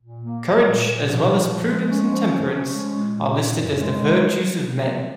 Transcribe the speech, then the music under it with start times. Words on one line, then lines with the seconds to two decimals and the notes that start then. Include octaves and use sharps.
Courage as well as prudence and temperance are listed as the virtues of men.
0.01 A#2
0.23 A#3
0.44 A#2
0.64 A#2
0.85 A#2
1.06 F3
1.28 A#2
1.48 F3
1.69 G#3
1.90 C#4
2.11 F3
2.32 F3
2.53 C#4
2.74 G#3
2.95 A#2
3.16 A#2
3.38 F#2
3.58 F#2
3.79 G#3